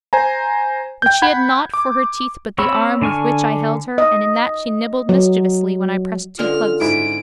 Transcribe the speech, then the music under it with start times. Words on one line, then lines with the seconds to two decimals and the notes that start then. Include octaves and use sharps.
But she had nought for her teeth but the arm with which I held her and in that she nibbled mischievously when I pressed too close.
0.13 C5 G#5 A#5
1.02 G5 G6
1.22 F#5 B5 G#6
1.74 D6
2.58 C4 C#5 B5 E6
3.01 D3 D4 G#5 C#6 F6
3.98 D#5
5.09 F#3
6.39 D3 G#3 C#4 F4 F6
6.81 G#2 E4 D7